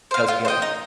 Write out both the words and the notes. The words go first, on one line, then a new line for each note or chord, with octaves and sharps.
goes together.
C5 F5
F4
C5
D#5 G5
D#4